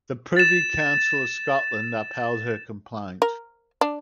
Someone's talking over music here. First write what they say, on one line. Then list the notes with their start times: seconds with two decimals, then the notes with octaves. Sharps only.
The Privy Council of Scotland upheld her complaint.
0.37 A6 E7
3.22 A#4
3.81 D4